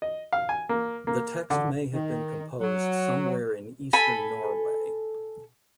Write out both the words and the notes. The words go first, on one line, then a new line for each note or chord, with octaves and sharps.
The text may have been composed somewhere in eastern Norway.
D#5
F5
G#5
A#3
A#3
D3
D#3
F#3
A4 G#5 B5